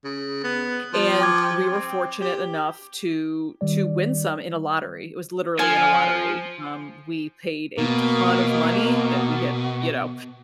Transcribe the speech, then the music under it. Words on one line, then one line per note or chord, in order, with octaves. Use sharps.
and we were fortunate enough to to win some in a lottery, it was literally in a lottery, um, we paid a ton of money that we had, you know,
C#3
B3
F3
G5 D6 G#6
C4
G4
D#3 G3 D5
F3 G#5
B2 A#3